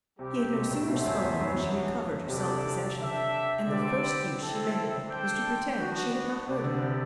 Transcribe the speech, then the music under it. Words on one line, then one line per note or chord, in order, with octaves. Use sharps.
He had no sooner spoken than she recovered her self-possession, and the first use she made of it was to pretend she had not heard him.
C3 G3 C4 G4
C3
B2
A2
B2 F#4 A4 C5 E5
F#2
E2
F#2
E2
F#2 B3 D4 F#4
C3 G3 D4 A4 D5
D4 A4 E5 G5
D3 G3 C4 G4 B4 D5
C4 E4 A4 E5
D4 A4 C5 G5
B3 D4 F#4
C3 B3 D4 G4 D5
D3
C3